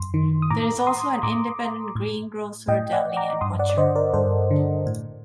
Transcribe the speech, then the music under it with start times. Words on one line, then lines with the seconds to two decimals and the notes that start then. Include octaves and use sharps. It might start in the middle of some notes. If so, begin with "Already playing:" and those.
There is also an independent green-grocer, deli and butcher.
Already playing: F#2 C6
0.14 D#3
0.42 D#6
0.50 A2 A#5 D6
0.87 C6 D#6
1.23 A2 A#5 D6
1.95 A2
2.68 A2 D#5 G5
2.92 D5 F#5
3.16 A#5 D6
3.41 G2 C6 D#6
3.59 D5 F#5
3.69 D5
3.77 D3 C5 D#5
3.95 A#4 D5
4.13 G2 A4 C5
4.51 D3
4.86 A2